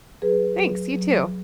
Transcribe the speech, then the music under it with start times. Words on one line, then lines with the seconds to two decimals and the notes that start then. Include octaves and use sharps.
Thanks you too.
0.22 F#3 G#4 B4
0.58 F#3
0.94 F#3